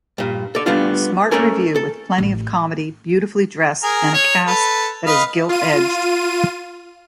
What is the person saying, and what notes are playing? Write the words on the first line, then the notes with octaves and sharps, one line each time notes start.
Smart revue with plenty of comedy beautifully dressed and a cast that is gilt-edged.
G2 A#2
A4 D5
G3 A3 B3 D4 F4
A3 C#4 A4 A#4 G#5
A4
A1
G#4 A#4
C#5
A4 B4
B4 D#5 F5
F4 D#7